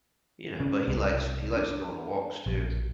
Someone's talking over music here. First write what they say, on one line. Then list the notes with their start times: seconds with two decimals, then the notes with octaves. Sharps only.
you know, but he likes he likes to go on walks too.
0.60 C#3
0.88 C2
1.57 D4
2.46 A#1